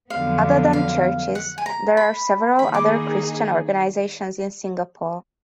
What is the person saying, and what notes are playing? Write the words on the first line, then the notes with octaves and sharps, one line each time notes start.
Other than churches, there are several other Christian organisations in Singapore.
F2 D3 F#3 B3 F5
F5
F#5
G#5
A#5
B5
D#3 A#3 D#4 G#4 B5
D6